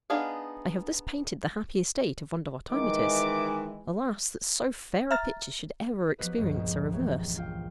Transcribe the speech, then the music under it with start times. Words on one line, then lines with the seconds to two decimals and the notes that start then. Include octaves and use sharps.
I have thus painted the happy estate of Vondervotteimittiss: alas, that so fair a picture should ever experience a reverse!
0.10 B3 D4 D#4 G#4 F5
2.72 D#3 E3 G#3 D6
5.11 E5 A#5 F6 A6
6.19 F3 F#3 B3 G4 B4 D#5
6.37 C#2 G2
6.54 A#1
6.92 E3 C#5
7.37 F4 F5 G5